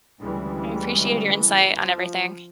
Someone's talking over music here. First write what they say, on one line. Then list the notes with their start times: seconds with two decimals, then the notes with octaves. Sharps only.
I appreciate your insight on everything.
0.21 D2 C#3 E3 G3 G#3
1.78 F3